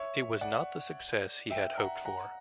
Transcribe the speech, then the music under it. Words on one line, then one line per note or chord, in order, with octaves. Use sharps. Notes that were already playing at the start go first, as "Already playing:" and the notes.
It was not the success he had hoped for.
Already playing: C#5 E5
D5 F#5
E5 G5
F#5 A#5
F#5 A#5